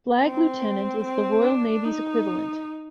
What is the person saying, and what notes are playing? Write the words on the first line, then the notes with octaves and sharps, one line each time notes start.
Flag lieutenant is the Royal Navy's equivalent.
C4
C4
D4
D#4